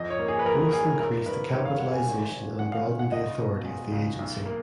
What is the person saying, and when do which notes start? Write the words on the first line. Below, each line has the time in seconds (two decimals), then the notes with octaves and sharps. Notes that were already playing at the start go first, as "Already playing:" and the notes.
Both increased the capitalization and broadened the authority of the Agency.
Already playing: F2 D#5
0.10 C#5
0.19 A#3
0.28 G#4
0.39 B4
0.46 F2 A#4
0.73 F2 G#4
0.99 G#1 A#4
1.26 G#1 B4
1.52 G#2 C#5
1.65 F5
1.79 G#1 F#5
1.92 G#5
2.06 G#1
2.32 G#1
2.59 G#1 F#5
2.72 F5
2.85 G#1 F5
2.99 F#5
3.12 C#2 D#5
3.39 B2
3.65 G#3
3.92 C#2
4.19 B1
4.45 A#3